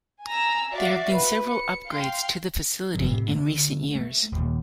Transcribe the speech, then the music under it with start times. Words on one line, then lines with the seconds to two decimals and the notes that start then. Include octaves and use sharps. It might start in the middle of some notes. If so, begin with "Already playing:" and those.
There have been several upgrades to the facility in recent years.
0.25 G#5 A#5 E6
0.72 F#4 D5 E5 F5
1.10 B4
1.48 C#7
1.88 F5 G5 C6
2.95 F1 C3 F#3
3.08 A2 C3
3.29 D3 A3
3.95 A3
4.32 D#1 D#2